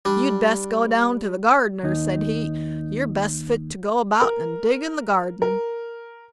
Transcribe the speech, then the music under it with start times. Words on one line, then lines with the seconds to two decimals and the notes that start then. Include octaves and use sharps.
'You'd best go down to the gardener', said he; 'you're best fit to go about and dig in the garden.'
0.05 G3 D4
1.83 D#2 D#4
4.22 A#4
5.42 A#4